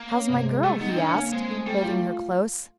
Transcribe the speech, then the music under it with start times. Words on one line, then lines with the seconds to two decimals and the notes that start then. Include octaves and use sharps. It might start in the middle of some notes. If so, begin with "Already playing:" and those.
"How's my girl?" he asked, holding her close.
Already playing: A#3
0.11 C#4
0.29 C3
0.45 G#3
0.63 G3 A3
0.80 B3 D#4
0.89 C4
0.97 D3 C#4
1.14 A#3
1.32 G#3 C4
1.50 A3
1.66 G3 A3
1.83 F4